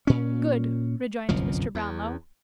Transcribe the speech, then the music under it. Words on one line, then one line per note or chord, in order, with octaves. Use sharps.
'Good!' rejoined Mr. Brownlow.
A#2 C#4
G1 C2 F#2 F3
E2